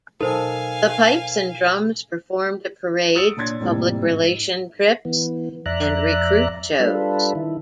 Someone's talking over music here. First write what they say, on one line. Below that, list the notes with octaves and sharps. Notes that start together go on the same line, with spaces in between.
The Pipes and Drums performed at parades, public relation trips and recruit shows.
B2 F#3 D#4 A4 A#4 C5 F5 G#5
D#6 E6 A6 C#7 D7
A#2 D4 C#5 C6 G#6 A6
F2 A2 C3 E3 G3 A#3
G#2
E3 B3
F2 D5 E5 A#5 F#6
G3 D4 F4 A4 B4
D#3 E4